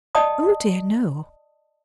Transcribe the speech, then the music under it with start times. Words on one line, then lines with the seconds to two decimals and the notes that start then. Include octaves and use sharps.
'Oh dear, no!
0.15 D5 D#5 G5 A5 D#6